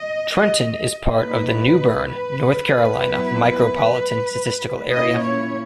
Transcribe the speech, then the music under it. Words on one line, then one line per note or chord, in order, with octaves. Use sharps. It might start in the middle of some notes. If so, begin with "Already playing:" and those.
Trenton is part of the New Bern, North Carolina Micropolitan Statistical Area.
Already playing: D#5
A#2 A#3 D#4 B4
B4
F#3 B3 E4
A#2 A#3 C#4 E4 D#5
C#5